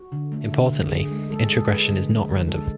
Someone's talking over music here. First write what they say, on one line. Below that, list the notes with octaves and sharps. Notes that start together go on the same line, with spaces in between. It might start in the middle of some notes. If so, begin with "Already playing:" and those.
Importantly, the introgression is not random.
Already playing: F#4
D3
A3
D3
D3
D3 G#4
G#3
G#3 A4
G#4
G#3 A4
G#3 B4
D3
G#3
D3
G#3 A4